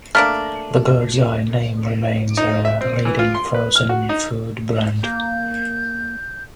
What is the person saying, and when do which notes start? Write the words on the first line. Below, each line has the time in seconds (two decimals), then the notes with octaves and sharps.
The "Birds Eye" name remains a leading frozen-food brand.
0.15 A3 A#3 D4 F6
2.37 D#4
2.65 E5
2.81 C4
3.05 E3
3.19 F4
3.34 C6
3.54 B4
3.76 F6
3.89 F#4
4.09 D#4
5.03 A#3 G6